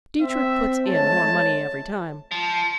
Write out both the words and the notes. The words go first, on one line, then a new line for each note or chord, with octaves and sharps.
Dietrich puts in more money every time.
C4 E5
F2 G#3 A3 C#5 A5
F3